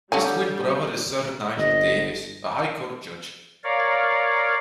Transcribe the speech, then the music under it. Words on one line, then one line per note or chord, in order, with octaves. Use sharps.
His twin brother is Sir Nigel Davis a High Court judge.
D3 F#3 G3 G4 G#5
G1 D#5
A#4 C#5 D5 F5